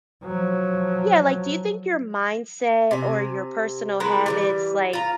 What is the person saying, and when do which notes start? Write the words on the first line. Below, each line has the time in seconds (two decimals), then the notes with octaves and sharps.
yeah, like do you think your mindset or your personal habits, like,
0.23 F3 F#3
2.91 C3 G#5
4.00 G#3 E4 A#4 B4
4.26 E3 F3 G3
4.93 F4 A#5